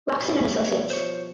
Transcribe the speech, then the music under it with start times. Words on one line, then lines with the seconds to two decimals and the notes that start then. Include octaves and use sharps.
Locsin and Associates.
0.20 B2 G3 C#5
0.90 F3 C5 C#5